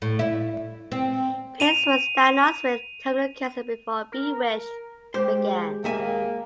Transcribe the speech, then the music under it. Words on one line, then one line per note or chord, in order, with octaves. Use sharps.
Pearce was diagnosed with terminal cancer before "Bewitched" began.
A2
E4
C4
D#7 F7
A#4
G#3 G4 C5
D#2 A#3 E5 G#5